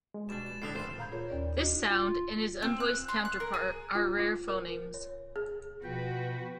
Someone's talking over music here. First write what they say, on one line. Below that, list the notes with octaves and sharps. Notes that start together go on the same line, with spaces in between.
This sound and its unvoiced counterpart are rare phonemes.
G#3
B2 G3 D4 A6 E7
E7
A2 D3 D4 D#6 F6 C7
G#1 A3 C5 C7 E7
A#2 F5 A#5 B5 G6 G#6
F4 G#4 A#4 C#5
D#2 C#4 D5
D4 D#4 F#4 D#5
F4
C4
F#6
C6
F#6
A#4
G#4
F4
F4
A#4
C#5
G#4
B2 F3 F#4 B4 G5